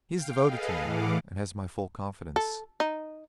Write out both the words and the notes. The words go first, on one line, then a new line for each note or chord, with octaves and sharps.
He is devoted to me, and has my full confidence.
F5 G5
G#4 A4 B4 D#5 F5
A2 E3 F5 F#5 D6
A4
D#4